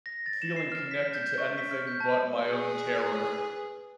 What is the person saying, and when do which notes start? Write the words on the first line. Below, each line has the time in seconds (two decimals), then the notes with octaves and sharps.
feeling connected to anything but, my own terror,
0.06 A#6
0.26 A6
0.42 E7
0.56 C7
0.72 F6
0.91 B6
1.14 G6
1.38 C#6
1.58 B6
1.71 F6
1.87 G6
2.00 A5
2.42 G#4 B4